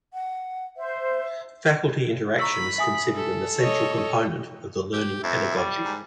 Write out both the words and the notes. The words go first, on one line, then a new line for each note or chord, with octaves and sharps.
Faculty interaction is considered an essential component of the learning pedagogy.
F#5
C5 E5
A#5 B5 C#6 E6
E5 G#5 D#6
A4
C#5 D#5
G4
F2 E5
G3
G#2